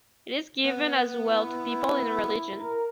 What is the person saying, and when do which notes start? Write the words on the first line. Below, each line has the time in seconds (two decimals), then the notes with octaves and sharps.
It is given as well to people in religion.
0.64 B3
1.25 E4
2.56 A#4